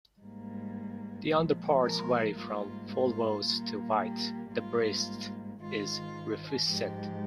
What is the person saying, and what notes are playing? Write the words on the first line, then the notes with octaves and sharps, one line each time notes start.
The underparts vary from fulvous to white; the breast is rufescent.
G#2 G3 A#3
A#2 F3 G#3
A#4
G#2 G3 A#3 F4
F4
A#2 G3 A#3
G4
G#2 G3 A#3 F4
G#2 D#3 G#3 F4
G#2 F3 G#3 G4